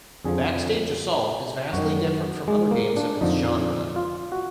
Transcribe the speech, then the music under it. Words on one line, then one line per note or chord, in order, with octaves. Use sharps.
"Backstage Assault" is vastly different from other games of its genre.
F2 D3 F3 G#4
F#2 D#3 F#4
G#3
A#3
D4
F2 D3 F3 D#4
F4
F#4